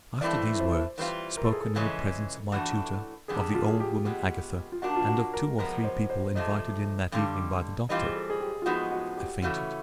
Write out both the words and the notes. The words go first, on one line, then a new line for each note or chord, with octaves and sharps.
After these words, spoken in the presence of my tutor, of the old woman Agatha, and of two or three people invited in that evening by the doctor, I fainted.
G2 E3 A3 C4 E4 D5
C5
E3 G3 C4 F4 B4
A#4
A4
G#4
A4
F2 C#3 E3 G#3 C#4
A2 E3 A3 D4 F#4
F2 D3 G3 B3 D4 G#4
F4
G#4
G4
B2 G#3 B3 G4
F4
A#2 G3 A#3 D4 F#4
F4
F#4
A#4
C3 F3 G#3 B3 A#4
C5
C5
C3 F3 A3 D#5
G2 D3 G3
E3 G3 C4 F4 D#5
G#4
A4
G#4
G4
F4
A2 F3 G#3 B3 D#4 F#4
F#4
G4
C#3 E3 A3 C#4 F#4